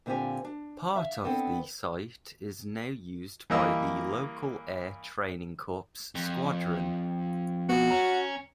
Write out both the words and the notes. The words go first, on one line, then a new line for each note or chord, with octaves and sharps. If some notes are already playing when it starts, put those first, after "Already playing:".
Part of the site is now used by the local Air Training Corps squadron.
A#2 D3 C4 F4 G4 G#5
D4
E5 F5
B3 C4 D4 A4
E3 G3 A#3 D#5 E6
F2
B3 F#4
C#4 A#5